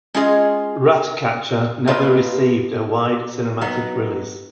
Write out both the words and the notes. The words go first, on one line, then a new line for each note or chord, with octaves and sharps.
"Ratcatcher" never received a wide cinematic release.
G#3 C#4 F4 G#4 D#5
B2 A#3 F4 B4 D#5
F#3 B3 D#4